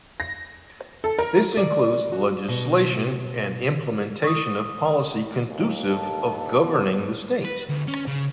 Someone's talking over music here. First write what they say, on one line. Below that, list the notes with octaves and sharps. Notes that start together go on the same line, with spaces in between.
This includes the legislation and implementation of policy conducive of governing the state.
A#6
A4
A#4
D5
F#4
B2
C#6 D#6
D#2
A4
B3
B4
D2
C#4
C#3